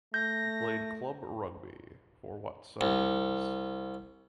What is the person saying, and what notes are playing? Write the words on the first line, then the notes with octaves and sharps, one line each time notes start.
He played club rugby for Watsonians.
A3 G6 A#6
C2